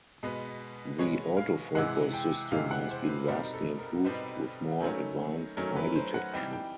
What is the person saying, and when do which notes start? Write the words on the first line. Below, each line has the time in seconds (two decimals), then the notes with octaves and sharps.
The autofocus system has been vastly improved with more advanced eye detection.
0.23 B2 G#3 B3
0.98 B2 G#3 B3 C#5
1.37 F5
1.75 C3 E3 G#3 F#5
2.13 G5
2.51 C3 E3 G#3 F5
2.71 F#5
2.90 C5
3.09 B4
3.28 B2 G3 C4 D#4 A#4
3.53 A4
3.79 A#4
4.04 B2 G3 C4 D#4 B4
4.80 D#3 F#3 A3 C#4
5.57 D#3 F#3 A3 C#4 A#4
5.76 B4
5.95 C5
6.14 F#5
6.33 E3 G3 C4 D#4 G5
6.53 G5